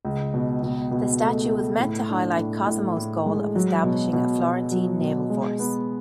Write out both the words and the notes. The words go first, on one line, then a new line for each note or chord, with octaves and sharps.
The statue was meant to highlight Cosimo's goal of establishing a Florentine Naval force.
C#2
B2
B2
B2
A3
A3
A2
D4
A2
A2
A2
G#3
F#3
B2
B2
B2
F#3
B2
G#3
B3